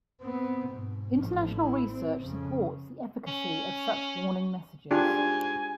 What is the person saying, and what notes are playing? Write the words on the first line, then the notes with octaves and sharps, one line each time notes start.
International research supports the efficacy of such warning messages.
B3 C4
G#2 B2
A1 F3
E4
C4
F2 C#3
C#4
G#2 D4 F4 G4 G#5